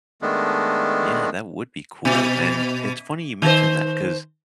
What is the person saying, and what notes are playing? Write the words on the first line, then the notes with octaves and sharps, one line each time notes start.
Yeah, that would be cool. And, it's funny you mentioned that, 'cause,
D#3 G#3 A3 B3 D4
B2
D#3 C5